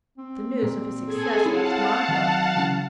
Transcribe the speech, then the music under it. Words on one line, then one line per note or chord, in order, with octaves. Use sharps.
The news of his success reached Monica.
C4
A#2
G#4 A4 G#5
E4 G#4 C#5 F5 F#5 A5
D#3 F#3 A4
C#3 E3 F#3